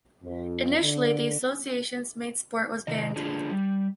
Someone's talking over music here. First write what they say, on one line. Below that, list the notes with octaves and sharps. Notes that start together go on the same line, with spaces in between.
Initially the association's main sport was bandy.
F2
D3
C3 D#3 D#5
D3 D4 F4 G#4
G3